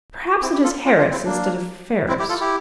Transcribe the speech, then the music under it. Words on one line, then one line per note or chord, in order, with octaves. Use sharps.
"Perhaps it is Harris instead of Ferris."
C4 E4
E4 G4
F4 A4
D4 F4
D4 F4
C4 E4
A#3 D4
C4 E4
E4 G4
F4 A4
E4 G4